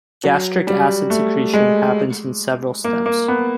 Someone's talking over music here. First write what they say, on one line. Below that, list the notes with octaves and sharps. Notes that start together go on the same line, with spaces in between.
Gastric acid secretion happens in several steps.
F#3
G3
A3
G#3
A#3
A#3
B3